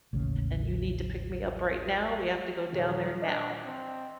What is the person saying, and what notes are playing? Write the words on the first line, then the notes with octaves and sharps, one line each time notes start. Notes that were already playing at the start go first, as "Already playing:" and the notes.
and you need to pick me up right now, we have to go down there now."
A1 D#2 C#3
D#1 F#3
D4 D#5
C4